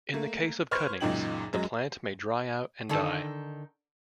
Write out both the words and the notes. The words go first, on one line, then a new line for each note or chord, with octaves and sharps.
In the case of cuttings, the plant may dry out and die.
A3 A#3
B4 C5 C#6 F6 G#6
C#2 F#2 A#2 D#4 G5 F#7
F#2 F#3 G#3
D3 D#3 D#4 A4